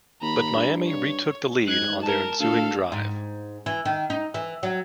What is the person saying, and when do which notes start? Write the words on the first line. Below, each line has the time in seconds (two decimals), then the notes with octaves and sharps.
But Miami retook the lead on their ensuing drive.
0.22 D#2 A#5 B5
0.55 G2
0.87 C#5
1.66 G#2 F#6 G#6
2.01 A#4 A5
2.40 D2 A4 F5
2.92 G#2
3.66 E3
3.85 D#3
4.10 D#4
4.34 E3
4.63 F#3